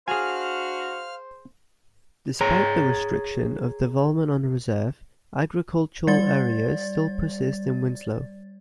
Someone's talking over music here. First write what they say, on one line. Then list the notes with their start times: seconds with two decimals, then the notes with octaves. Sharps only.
Despite the restriction of development on the reserve, agricultural areas still persist in Winslow.
0.08 D4 F#4 G#4 C5 F5 G#5 F6
2.41 G#4 C#5 A#5
6.07 G3 D5 A6